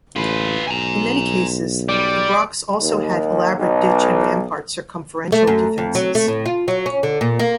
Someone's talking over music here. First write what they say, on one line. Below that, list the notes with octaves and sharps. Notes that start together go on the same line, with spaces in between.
In many cases the brochs also had elaborate ditch and rampart circumferential defences.
A1 F4 B4
B1 G#5 A#5
G3 D5
D#2
B1
A3
F#2
F2
F#3
A3
A2
F4
F#3
C#4
D3
A#2
A#3